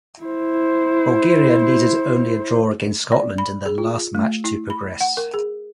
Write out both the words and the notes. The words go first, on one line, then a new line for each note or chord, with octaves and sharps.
Bulgaria needed only a draw against Scotland in their last match to progress.
E4 C5
D5
B5
G#4
F4
A3
E4
B5
F#5
A#4
G#4